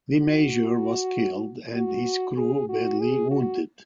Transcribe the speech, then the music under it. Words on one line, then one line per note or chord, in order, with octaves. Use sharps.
The major was killed and his crew badly wounded.
F#4
F#4
G#4
F#4
G#4
F#4